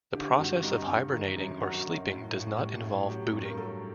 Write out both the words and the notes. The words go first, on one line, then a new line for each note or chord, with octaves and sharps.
The process of hibernating or sleeping does not involve booting.
D3 G4
G2 F#4
G2 D#4
G2
D#3
F#2
F#2 F#4
F#2
A2
A2
G3
A2
F#3 G4
G2
A#4
F#3 A4